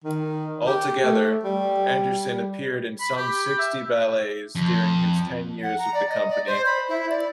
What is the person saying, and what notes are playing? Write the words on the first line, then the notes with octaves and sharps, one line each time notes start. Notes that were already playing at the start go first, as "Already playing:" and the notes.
Altogether, Andersen appeared in some sixty ballets during his ten years with the company.
D#3
G4
A3
G3
B5
G4
E5
F2
F#5
A#5
D5
D#5
D5
C5
B5
E4
D5